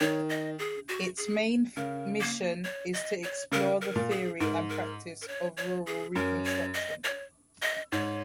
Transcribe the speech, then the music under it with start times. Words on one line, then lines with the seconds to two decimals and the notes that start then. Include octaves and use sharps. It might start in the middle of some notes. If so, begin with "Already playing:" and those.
Its main mission is to explore the theory and practice of rural reconstruction.
0.01 D#3 C#5
0.29 D#5
0.59 G#4
0.88 F#4
1.18 G#4
1.77 C#3 A#4
2.21 A#3
2.64 C#5
2.94 D#5
3.23 C#5
3.52 C#3 A#4
3.81 A#4
3.96 A#2
4.11 G#4
4.40 G#2 A#4
4.69 A#4
5.22 A#4
5.28 C#5
5.57 C#5
5.86 G#4
6.15 F#2 A#4
6.45 C#5
6.74 D#5
7.04 C#5
7.62 D#5
7.92 G#2 C#5